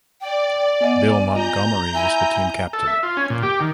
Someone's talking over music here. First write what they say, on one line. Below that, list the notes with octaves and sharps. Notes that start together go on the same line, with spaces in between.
Bill Montgomery was the team captain.
D5 G5
B3 D#5 F#5 G#5
F4 D#5 A#5 G6
E4 G#5
A4
E5
F4
C#4
A#2
G4
D#3